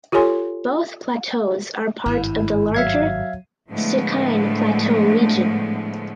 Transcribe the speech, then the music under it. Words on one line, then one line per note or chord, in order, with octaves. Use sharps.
Both plateaus are part of the larger Stikine Plateau region.
F4 G4 A4 C#5 G#5 C6
G#1 G2 E4
F#3 E5 F5 G#6
A2 D3 F3 G#3 A3 B3